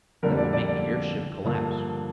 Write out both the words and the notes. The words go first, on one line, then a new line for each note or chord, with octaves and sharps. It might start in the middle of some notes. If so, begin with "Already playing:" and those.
That will make the airship collapse.
F2 D3 G3 A#3 A#4
D5
D5
D5
G2 D3 F3 A#3